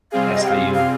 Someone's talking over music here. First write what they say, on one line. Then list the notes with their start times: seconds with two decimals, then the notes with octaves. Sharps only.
that's how you
0.12 C3 G3 C4 F4 G#4 F5
0.35 D#5
0.43 G5
0.48 F5
0.74 F5